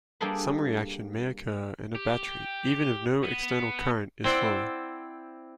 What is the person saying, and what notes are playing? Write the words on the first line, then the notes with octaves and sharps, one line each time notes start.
Some reaction may occur in a battery even if no external current is flowing.
G3 A#3 D4 G#4 A4 B4
G4
B3
C4 E4 C5 D5 F#5